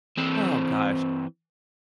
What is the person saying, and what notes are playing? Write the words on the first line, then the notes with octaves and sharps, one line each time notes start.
Oh, gosh.
E3 C4